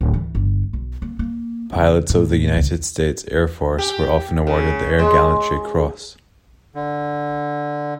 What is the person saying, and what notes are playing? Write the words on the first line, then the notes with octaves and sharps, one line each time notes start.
Pilots of the United States Air Force were often awarded the Air Gallantry Cross.
D1
E3
G1
B1
A#3
A#3
F#1
A2
C#2
G4
C#3
G#3
D3